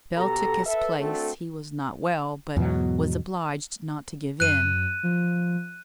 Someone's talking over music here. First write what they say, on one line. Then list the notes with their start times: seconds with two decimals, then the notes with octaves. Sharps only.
Bell took his place; he was not well, but was obliged not to give in.
0.17 B2 G4 A4 A#5
0.66 A4 B4 E5
0.99 A3 C4 D4 F#4 A4
2.57 E2 G#2 B2 F#3
4.40 F#2 F#6 D#7
5.03 F3